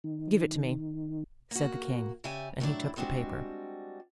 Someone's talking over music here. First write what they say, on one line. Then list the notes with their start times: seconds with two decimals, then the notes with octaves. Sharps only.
"Give it to me," said the king; and he took the paper.
0.04 D#3
1.51 A#3 F#4
2.24 C#3 G4 D5 E5 G#5
2.60 A2 D3 F#3 D4 E4
2.96 G3 G#3 C4 D4 F#4